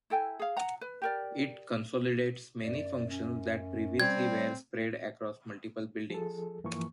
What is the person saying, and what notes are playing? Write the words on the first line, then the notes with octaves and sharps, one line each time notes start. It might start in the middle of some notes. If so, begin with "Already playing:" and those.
It consolidates many functions that previously were spread across multiple buildings.
E4 A4 G5 G#5
G#4 F5
F#5 A#5
B4
G4 A#4 D5
F#2 D5
C#4
G3 C4 G#6
F3 G#4 A4
G2 E3 F3 A#3 C#6